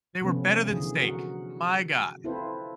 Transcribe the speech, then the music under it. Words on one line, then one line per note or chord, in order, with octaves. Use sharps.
they were better than steak, my god.
C3 F3 A3 B3 C#4
D3 E3 G#4
F#4 A#4 F#5
C4 E4 F4 A4 B4 C5